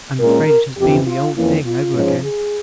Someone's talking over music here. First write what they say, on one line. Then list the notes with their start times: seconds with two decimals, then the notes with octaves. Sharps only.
I'm afraid it has been the old thing over again.
0.20 A#2 G#3 C#4 A#4
0.78 F2 C3 E3 G4
1.07 F4
1.36 F2 E3 A#3 C#4 E4
1.65 F4
1.95 G#2 F3 G#3 C#4
2.24 G#4